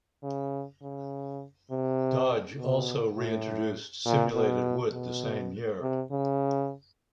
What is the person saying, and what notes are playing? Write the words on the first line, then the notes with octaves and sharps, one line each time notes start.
Dodge also reintroduced simulated wood the same year.
C#3
C#3
C3
B2
A2
A#2
B2
B2
C3
C#3